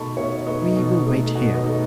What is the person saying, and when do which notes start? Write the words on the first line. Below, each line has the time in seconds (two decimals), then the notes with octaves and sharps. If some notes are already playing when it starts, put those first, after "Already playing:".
"We will wait here."
Already playing: B2 A3 D#4 A5 B5 C#6
0.17 B2 C#5 E5
0.46 A3 D#4 B4 D#5
0.76 B2
1.06 A3 D#4
1.35 B2
1.55 B4 D#5
1.64 A3 D#4